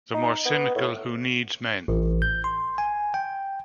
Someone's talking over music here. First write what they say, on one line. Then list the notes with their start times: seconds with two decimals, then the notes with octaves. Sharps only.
The more cynical Who Needs Men?
0.14 D#4
0.45 B3
0.75 A2
1.88 A1
2.22 G6
2.44 C6
2.78 G#5
3.14 G5